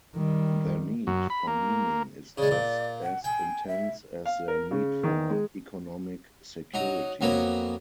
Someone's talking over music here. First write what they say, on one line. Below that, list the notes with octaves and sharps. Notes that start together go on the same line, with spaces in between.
Their need for meaning is just as intense as their need for economic security.
D#3 G3
F#2
B5
A#3
C#3 G#3 D5
A#2
F#5
G5 G#5
E5
F5
A#4
C#3
D#3
G#3
F#3 D#4
F2 F#3 A#3 B3